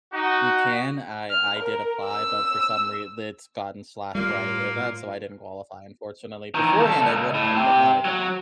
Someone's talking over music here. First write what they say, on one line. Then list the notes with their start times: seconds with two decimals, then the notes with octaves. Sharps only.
You can. I I did apply, but for some re that's gotten slashed where I live at, so I didn't qualify, unfortunately. Beforehand, I would have, but now I don't.
0.13 D#4 F#4
1.30 F6
1.59 A#4
2.06 E6
4.15 A2 G3 A#3 F4
6.55 D#3 E3
6.80 B1 A4
7.02 C#2
7.34 A2
7.56 C3 G4
8.05 F#3